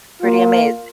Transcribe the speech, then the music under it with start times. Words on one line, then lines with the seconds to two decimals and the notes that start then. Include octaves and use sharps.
Pretty amazing.
0.22 A#3 F4